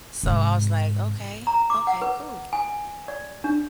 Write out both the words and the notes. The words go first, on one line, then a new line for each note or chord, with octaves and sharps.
so I was like, "Okay. Okay. Cool."
G#2 C3
A#5
D6
F#5
B4
G#5
D5
D4